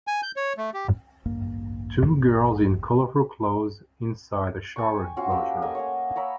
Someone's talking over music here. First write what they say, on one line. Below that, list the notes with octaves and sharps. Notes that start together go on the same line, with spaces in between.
Two girls in colourful clothes inside a shower enclosure.
G#5
G6
C#5
A3
G4
A1 D2 G2 A#3
G5 G#5 C#6
F3 C#4 F#4 C5
A#3 G4 A#4 E6
A3 A#3 D#5 G#5
C#5 F#5 G#5
A#4 C#5 B5 E6